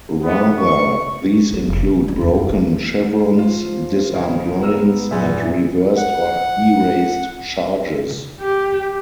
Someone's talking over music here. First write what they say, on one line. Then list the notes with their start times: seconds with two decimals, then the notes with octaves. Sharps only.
Rather, these include broken chevrons, disarmed lions, and reversed or erased charges.
0.22 B3
0.58 C#6
1.53 F#3
1.67 F1
1.88 D2
2.08 G3
2.21 E2
2.35 F#2
2.49 G#3
3.39 F3 F4
4.14 A1 C#3 F5
4.62 B3 A#5 E6 F6
5.11 F#2 A#2 C#3 G#4 B4 E5 F#5
5.97 F#5
8.40 G4